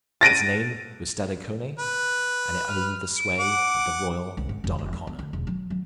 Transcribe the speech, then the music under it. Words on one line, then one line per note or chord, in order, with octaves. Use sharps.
Its name was Stadacone, and it owned the sway of the royal Donnacona.
A6 A#6 D7 D#7
B4
F6
D7
F#5 D6
C2
G#2
F1
F1
D#2
B3
D2
E1
F#3
F#3